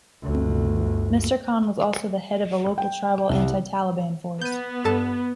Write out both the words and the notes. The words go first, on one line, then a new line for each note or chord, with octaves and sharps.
Mr Khan was also the head of a local tribal anti-Taliban force.
G1 D2
G5
C2
B3 G6 D#7
G2 A4 A5